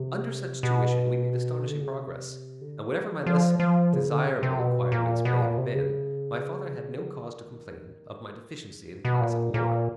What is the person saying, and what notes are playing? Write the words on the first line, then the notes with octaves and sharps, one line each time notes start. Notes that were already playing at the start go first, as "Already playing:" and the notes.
Under such tuition, we made astonishing progress; and whatever my less desirable acquirements may have been, my father had no cause to complain of my deficiency in classic lore.
Already playing: C3
B2
D3
C#3
C3
D3
D#3
F3
F3
F3
C#3
D3
C3
C3
B2
A#2
B2
A#2
C3
C#3
D#3
D3
C#3
C3
B2
A#2
A#2